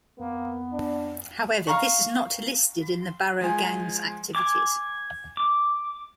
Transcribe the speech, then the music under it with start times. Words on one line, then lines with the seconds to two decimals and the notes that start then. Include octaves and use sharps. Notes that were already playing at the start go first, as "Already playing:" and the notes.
However, this is not listed in the Barrow Gang's activities.
0.19 F2 A#3 B3
0.72 D4
1.67 F5 A#5 C#6
3.41 F3 G#3 G#5
4.35 G#5 D6
5.37 D6